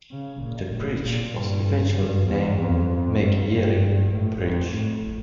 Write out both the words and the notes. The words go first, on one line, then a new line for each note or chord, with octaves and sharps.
The bridge was eventually named Megyeri Bridge.
C#3
A#2
A2
A#2
G2
G2
E2
F2
G2
G2
A2
F2
A2